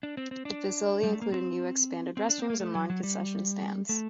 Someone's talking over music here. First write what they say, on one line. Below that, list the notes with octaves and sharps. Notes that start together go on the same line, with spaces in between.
The facility included new expanded restrooms and larger concession stands.
D4
C4
C4
D4
G3
A3
A#3
C4
C4
D4
C4
A#3
A3
F#3
F#3
G3
A3